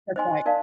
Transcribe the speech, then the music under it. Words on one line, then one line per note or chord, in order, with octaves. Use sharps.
That's right.
C5 D#5 G#5 C6
A#4 D5 F5 A5